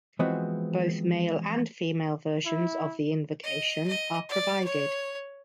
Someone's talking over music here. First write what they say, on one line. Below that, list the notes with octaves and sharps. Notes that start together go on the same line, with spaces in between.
Both male and female versions of the invocation are provided.
E3 F3 G#3 B3 C4 F#4
E4
D#5
D#5
D5
C#5